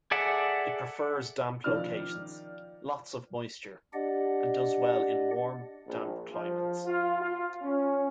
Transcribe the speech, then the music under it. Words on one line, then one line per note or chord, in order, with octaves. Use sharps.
It prefers damp locations, lots of moisture, and does well in warm, damp climates.
G#4 A4 D5 E5 F#5
D#3 F3 D5 F6
D4 G4 D5 D#5 F#5
A#1
F3
F4
F4
C#4